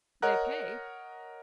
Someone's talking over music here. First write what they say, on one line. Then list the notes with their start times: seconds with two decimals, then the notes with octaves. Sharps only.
They pay.
0.22 A#4 C#5 D#5 F#5 A#5 F#6